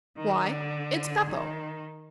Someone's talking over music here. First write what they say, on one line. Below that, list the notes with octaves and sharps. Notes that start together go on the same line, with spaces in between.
Why, it's Beppo.
D#3
D3
D#3